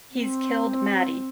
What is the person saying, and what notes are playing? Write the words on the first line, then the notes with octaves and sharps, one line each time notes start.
He's killed Maddie.
C4